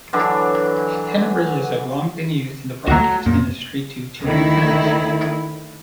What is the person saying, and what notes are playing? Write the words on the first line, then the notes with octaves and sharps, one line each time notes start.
Antenna bridges have long been used in the broadcast industry to tune antennas.
D3 E3 F#3 D4
D2 A#3 F#4 F#5 A#5
A3
F#2 A#2
D2 D#3 E4